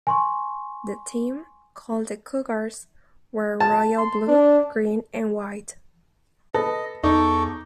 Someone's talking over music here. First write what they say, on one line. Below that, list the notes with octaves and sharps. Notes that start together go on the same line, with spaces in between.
The team, called the Cougars, wear royal blue, green and white.
G#5 C6 C#6
A5
C6
D4
A4 B4 D#5
E2 D#4 A4 C#6 D6